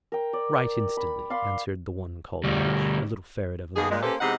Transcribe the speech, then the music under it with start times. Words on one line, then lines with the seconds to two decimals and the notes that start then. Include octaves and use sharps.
"Right instantly," answered the one called Midge, a little ferret of a man.
0.12 A#4 G5
0.33 D5
0.97 B5
1.30 D5 F5 B5 C6
2.44 D2 G3
3.76 B2 D#3 A#3 G#4
3.91 A#2 G#3
4.02 A#3 C#4 G4 A4 B4 C5
4.21 E2 C3 G#3 D#4 D#5 F#5